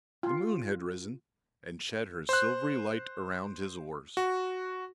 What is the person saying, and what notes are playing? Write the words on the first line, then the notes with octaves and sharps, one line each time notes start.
The moon had risen, and shed her silvery light around his oars.
F4
C5 F#6
F#4